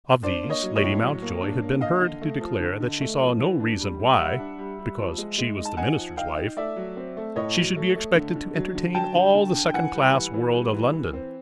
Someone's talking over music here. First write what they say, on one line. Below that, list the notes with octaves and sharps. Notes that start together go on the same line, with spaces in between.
Of these Lady Mountjoy had been heard to declare that she saw no reason why, because she was the minister's wife, she should be expected to entertain all the second-class world of London.
D4 C5 D5
A#3
C#5 D#5
F#3
C#5 D#5
A2
F#3
A#3
D4
A#3
D3 D#5 F5
D3
A3
F3
D3
D3
A3
F3
E3
D4
G3
G3
G3 E5 F#5
D4
G3
G3
F3
G#3
G#3
D#4
A5
D#4 F#5 G#5
F3
D#4 F5 G5
D#4
A3 D5 E5
F#3
C4
A3
A2 C#5 D#5
F#3
A3
A3
D3
D3
F#3
D3
F#3 G5 A5
D3
D3
D3
G5
E3 F#5 G#5
G3
E3
E3
G3
E3
E3
C4